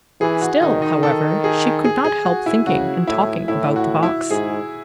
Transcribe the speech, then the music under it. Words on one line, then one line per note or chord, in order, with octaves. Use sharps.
Still, however, she could not help thinking and talking about the box.
E3 G#4
F#4
D#3 D#4
D#4
A4
G#4
G#4
G#4
F#4
E4
C#3 F#4
A2 E4
A2 E4
F#4
E4
G#2 G#4